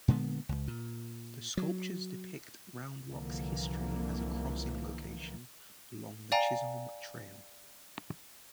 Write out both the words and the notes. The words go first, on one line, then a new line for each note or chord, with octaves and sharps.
The sculptures depict Round Rock's history as a crossing location along the Chisholm Trail.
A#2 D3 G#3 B3
C#2
A#2
F#3
C2 D3 E3 F3 A#3
D5 F5 G5 G#5 A#5